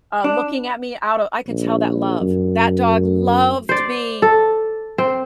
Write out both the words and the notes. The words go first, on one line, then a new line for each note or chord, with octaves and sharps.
uh, looking at me out of I could tell that love, that dog loved me.
D4
A#1
F#2
C5 D5
A4
C4